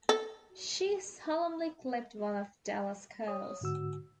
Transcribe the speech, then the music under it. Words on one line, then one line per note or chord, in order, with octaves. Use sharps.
She solemnly clipped one of Della’s curls.
A4
C#5 D#6
G#2 D3 F#4 E6